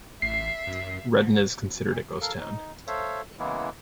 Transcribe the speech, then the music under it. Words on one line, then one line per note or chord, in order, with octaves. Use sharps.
Redden is considered a ghost town.
A1 E5 C7
F#2
A4 A#4 F5
D#4
A4 C5 C#5 E5 F5
C#3 E3 G#3 A#3 B3 E4